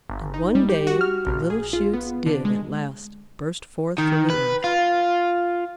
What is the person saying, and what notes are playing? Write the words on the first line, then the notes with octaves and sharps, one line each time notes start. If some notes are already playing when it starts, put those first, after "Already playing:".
And one day the little shoots did at last burst forth from the earth.
G1
D#4
G3
G4
F#4
F6
A#1
G#4
F4
B3
D3
G#3
D#3
B4
F4